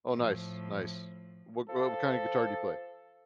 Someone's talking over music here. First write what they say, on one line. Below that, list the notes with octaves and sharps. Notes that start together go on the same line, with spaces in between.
oh, nice, nice. What gro what what kinda guitar do you play?
A2 F3
F3 A4